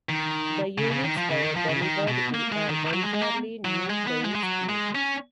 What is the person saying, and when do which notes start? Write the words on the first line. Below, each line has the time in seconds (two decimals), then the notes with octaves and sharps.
The units were delivered in an entirely new paint scheme.
0.09 D#3
0.78 C#3
0.91 C#3
1.04 D#3
1.17 F3
1.30 C#3
1.42 D#3
1.56 F3
1.69 C#3
1.82 D#3
2.08 B2
2.34 A#3
2.52 G#3
2.69 D#3
2.93 F#3
3.03 G#3
3.14 G#3
3.21 A#3
3.65 F#3
3.90 G#3
4.07 B3
4.25 G#3
4.35 G#3
4.43 F#3
4.69 G#3
4.95 C#4